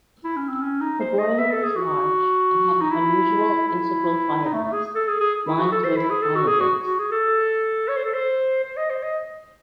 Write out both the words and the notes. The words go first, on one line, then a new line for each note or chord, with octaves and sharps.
The boiler was large and had an unusual integral firebox, lined with firebricks.
E4
C#4
C4
C#4
D#4
C5
D#5
E5
A4
G#4
F#4
D#4
E4
E4
D#4
A3
A3
G#4
A4
G#4
G#4
E4
F#4
A4
C5
E4
G#4
A4
F#4
G#4
F#4
F#4
G#4
A4
C#5
C5
A4
C5
C5
D#5
C5
D#5